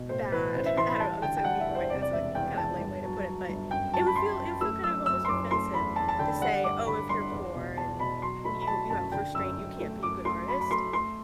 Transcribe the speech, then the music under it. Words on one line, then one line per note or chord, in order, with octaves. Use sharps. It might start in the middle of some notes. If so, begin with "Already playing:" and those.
bad, I don't know, that's a weak way that's a kinda lame way to put it, but it would feel it would feel kind of almost offensive to say, "Oh, if you're poor and you you have restraint, you can't be a good artist,"
Already playing: B2
A2 C5
E3 B4
A1 C5
E5
E3 C6
B5
G3 A5
D3 G5
G5
G3 F#5
E5
E2
C5
C3 D5
D5
E1 E5
E2 G5
E2 A5
G1
F#3
F#3
G1
F#2 G5
F#3 A5
B5
F#2 C6
F#2
A3 E6
F#1 E6
F#2 E6
C6
F#1 D6
A3 C6
E2 B5
E2 A5
A5
D3 G5
G3 F#5
G2 D6
D3 B5
G1 C6
E2
B2
E2 A5
B2 B5
F#3 C6
A3 B5
B5
F#3 A5
F#2 A5
D3 G5
F#2 E6
F#2
A3
F#2 D6
A3 C6
F#3 B5
B5
A3 C6
A3 C6